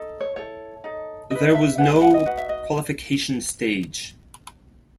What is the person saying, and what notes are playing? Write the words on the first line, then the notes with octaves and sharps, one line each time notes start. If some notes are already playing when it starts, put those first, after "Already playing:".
There was no qualification stage.
Already playing: D#4 A4
C#5
E4 A4 C#5
D#4 A4
E4 B4 D#5
E5
C#4 G#4 B4 F#5
G#5
F#5
D#5
D#4 F#4 B4 F#5
E5
D#5